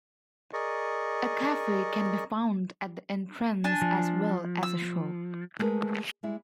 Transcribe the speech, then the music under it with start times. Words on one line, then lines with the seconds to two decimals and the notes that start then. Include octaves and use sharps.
A cafe can be found at the entrance as well as a shop.
0.53 G#4 A#4 D5 D#5 C#6
3.64 D4 G#5 A5
3.82 F3
4.63 E6
5.59 G#3 A3 A#4 B4
6.23 G3 G#3 E4